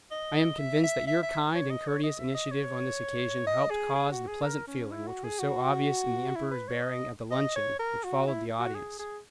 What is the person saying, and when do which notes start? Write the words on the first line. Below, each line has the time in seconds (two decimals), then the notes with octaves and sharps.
I am convinced that your kind and courteous initiative on this occasion helped cause the pleasant feeling which was so obvious in the Emperor's bearing at the luncheon which followed the audience.
0.11 D#5
0.59 E5
0.83 E5
1.07 E5
1.23 E5
1.55 C#5
1.70 D#5
1.87 C#5
2.03 D#5
2.19 E5
2.34 D#5
2.51 C#5
3.47 D#5
3.70 G#4
3.95 G#4
4.11 F#4
4.27 G#4
4.42 A#4
4.67 C#4
4.91 E4
5.07 F#4
5.24 G#4
5.39 F#4
6.36 E4
6.51 B4
6.68 C#5
6.83 D#5
7.31 D#5
7.56 C#5
7.79 A#4
8.03 F#4
8.27 E4
8.60 F#4
8.75 G#4
8.99 G#4